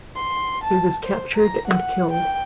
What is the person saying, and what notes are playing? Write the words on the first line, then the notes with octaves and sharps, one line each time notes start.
He was captured and killed.
C6
A5
C5
A#5
F#5
G5